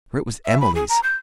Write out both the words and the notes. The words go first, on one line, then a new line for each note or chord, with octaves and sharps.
For it was Emily's!
E5
B5
G#4
A#5
G6